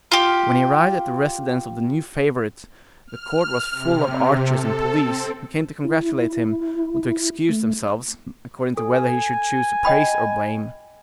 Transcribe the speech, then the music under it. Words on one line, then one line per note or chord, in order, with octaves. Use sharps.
When he arrived at the residence of the new favorite, the court was full of archers and police, who came to congratulate him, or to excuse themselves, according to whether he should choose to praise or blame.
F4 G4
F6
C3
A4
C4
E4
A3
A4 G#5
D#5 G5 B5